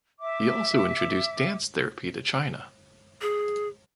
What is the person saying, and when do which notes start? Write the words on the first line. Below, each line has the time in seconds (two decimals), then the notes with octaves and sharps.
He also introduced dance therapy to China.
0.20 E5 D6
3.22 G#4